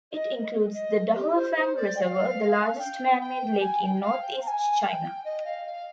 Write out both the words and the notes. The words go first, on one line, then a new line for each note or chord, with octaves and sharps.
It includes the Dahuofang Reservoir, the largest man-made lake in northeast China.
D#5
D#5
G4
C5
C5
D5
G5
F5
G5
G5
G#5
G5
F5
G5
A#5
G#5
G5
D#5
F5
F5